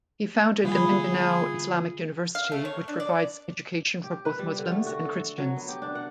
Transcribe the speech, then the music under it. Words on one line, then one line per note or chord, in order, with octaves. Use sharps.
He founded the Mindanao Islamic University which provides education for both Muslims and Christians.
D3 E3 G3 A#3 B3 F4 G#4
F5
A3
C#5
D4
D5
G4
B4
G3
D3
A3
F#4
A4
F#3
B3
G4
D4
F#5